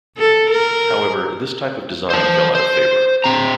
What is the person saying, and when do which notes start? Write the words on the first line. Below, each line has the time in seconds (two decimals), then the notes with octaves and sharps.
However, this type of design fell out of favour.
0.18 A4
0.51 A#4
2.10 C5 A5
2.55 C5
3.24 C4 A#5